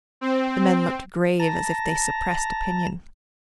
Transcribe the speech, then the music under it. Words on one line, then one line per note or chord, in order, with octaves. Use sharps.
The men looked grave, as if they suppressed opinion.
C4
A5 A#5 A#6